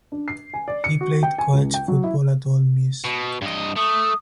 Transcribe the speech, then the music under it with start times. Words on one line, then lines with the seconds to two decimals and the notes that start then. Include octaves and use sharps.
He played college football at Ole Miss.
0.12 D4
0.28 C7
0.54 G#5
0.68 D5
0.84 C#7
1.01 F#4
1.23 G5
1.38 G#5
1.53 C#2
1.74 G5
1.88 F#3
2.04 E4
3.04 B2
3.42 G2 D#5
3.77 A3 D#6